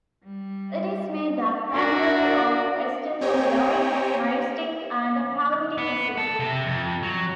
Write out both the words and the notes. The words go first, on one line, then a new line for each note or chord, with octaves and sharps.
It is made up primarily of esters of lauric, myristic, and palmitic acid.
G3
D4 F#4 A#4 D5
C4 G4 C#5 G5 G#5 A#5
B3
A4
C3
F2
F#3